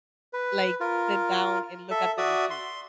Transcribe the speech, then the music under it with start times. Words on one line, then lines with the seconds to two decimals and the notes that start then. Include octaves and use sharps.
like, sit down and look at the receipt.
0.33 B4
0.81 F4 A#4
1.91 A4 E5
2.18 F#4 D5 E5 D#6
2.50 C6